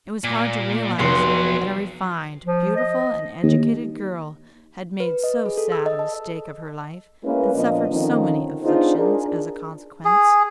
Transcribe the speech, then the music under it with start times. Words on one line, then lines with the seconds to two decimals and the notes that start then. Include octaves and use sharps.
It was hard to realize that a refined, beautiful and educated girl had made so sad a mistake of her life and suffered so many afflictions as a consequence.
0.24 A#2
0.99 F1 F#3 B3 C6
2.45 F3
2.76 D#5
3.43 D#2
5.00 B4
5.24 D#5
5.46 G#4
5.58 A4
5.72 E6
5.86 D#5
5.99 A5
7.24 G#3 A#3 C#4 E4 B4
7.55 A#2 F3 A#3 B3 D4 D#5
7.90 D3 D#3 F3 C4 C#4 D#4
8.64 B3 D4 D#4 F4 G#4 C5
8.98 D4 G#4 A#4
10.05 G#4